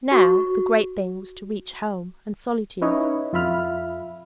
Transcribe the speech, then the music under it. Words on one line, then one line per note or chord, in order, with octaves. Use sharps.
Now, the great thing was to reach home, and solitude.
F#4 C#6
C#4 D#4 E4 B4 C#5 D#5
F2 F4 E5 B5 F6